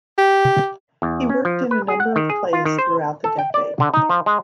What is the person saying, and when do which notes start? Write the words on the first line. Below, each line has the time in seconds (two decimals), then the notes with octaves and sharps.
He worked in a number of plays throughout the decade.
0.18 G4
1.02 E2
1.29 C#4
1.45 F3
1.71 B4
1.88 G#4
2.00 F#5
2.16 D#3
2.30 G#4
2.53 F4
2.65 D#3
2.78 C5
3.24 A4
3.39 G5
3.54 D5
3.80 D3
3.94 D#4
4.10 F3
4.26 G#3